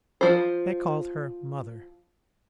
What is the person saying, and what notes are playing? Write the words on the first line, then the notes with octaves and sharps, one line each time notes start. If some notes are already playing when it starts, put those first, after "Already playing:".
They called her "mother."
F3 C5